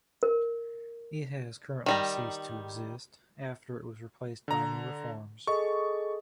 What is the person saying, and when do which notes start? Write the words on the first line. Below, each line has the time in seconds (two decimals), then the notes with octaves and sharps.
It has currently ceased to exist after it was replaced by new reforms.
0.23 A#4
1.86 D#3 G3 A#5
4.48 D3 A#5
5.47 G#4 A4 D#5 C#6